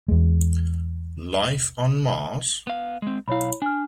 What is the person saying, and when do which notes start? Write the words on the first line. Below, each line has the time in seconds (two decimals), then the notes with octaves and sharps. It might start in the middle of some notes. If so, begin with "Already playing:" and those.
Life on Mars?
0.08 E2 G#3
2.67 B3 F5
3.02 G#3 C4
3.28 B1 E4 C#5 F5 B5
3.62 D4 G#5 F6